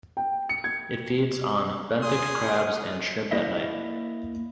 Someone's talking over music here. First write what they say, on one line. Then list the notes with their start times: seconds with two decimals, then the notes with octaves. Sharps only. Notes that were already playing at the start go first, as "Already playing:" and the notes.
It feeds on benthic crabs and shrimp at night.
0.17 G5
0.49 C#7
0.64 G#6
2.02 G#4 C6 D#6
3.31 A#3 E4 D#5 E5